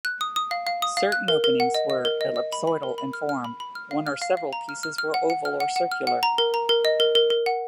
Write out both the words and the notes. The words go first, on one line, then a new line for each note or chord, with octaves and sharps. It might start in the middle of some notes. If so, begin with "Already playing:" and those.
Certain openings were ellipsoidal in form, one or several pieces were oval or circular.
F#6
D#6
D#6
F5
F5
D#6
F5
F#6
A#4
A#4
F#5
D#5
D#5
A#4
D#5
D#5
B5
B5
A#4
B5
F6
F6
B5
B5
F6
F5
F6
F5
F5
A#5
F6
F6
F6
F#5
F#5
F6
F#5
F#5
F6
F#5
A#5
A#4
A#5
A#4
D#5
A#4
A#4
A#4
F#5